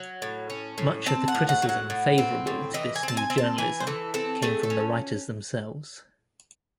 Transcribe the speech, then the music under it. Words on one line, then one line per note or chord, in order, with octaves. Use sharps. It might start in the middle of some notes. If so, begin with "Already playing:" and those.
Much of the criticism favorable to this New Journalism came from the writers themselves.
Already playing: F#3
A2
C#4
A2
C4 A5
F#5
A2
F#5
F#3
F#5
A2
C4
A2
E3 D#5
G#5
C4
A5
G#5
C4
A5
E3 G#5
C5
E3 A4
C4 A4
A3 G#4
A4
C#4